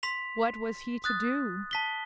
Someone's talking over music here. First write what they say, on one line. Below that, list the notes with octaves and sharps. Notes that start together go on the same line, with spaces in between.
What was he to do?
C6 B6 F7
D#6 F#6 A6
A5 B6 G7